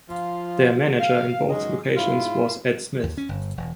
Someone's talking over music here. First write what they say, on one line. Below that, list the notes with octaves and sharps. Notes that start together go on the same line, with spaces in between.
Their manager in both locations was Ed Smith.
F3 F4
F5
G#2 F#3 G#3 C#4 D#5
G#2 C#4 E4 F4
D#2
C#4
G1
E1